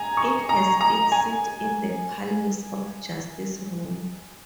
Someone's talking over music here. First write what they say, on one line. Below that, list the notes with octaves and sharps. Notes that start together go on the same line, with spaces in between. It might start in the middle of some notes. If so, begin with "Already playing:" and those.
It has its seat in the Palace of Justice, Rome.
Already playing: G#5 A#5
C#6
A#5
A#5
G#5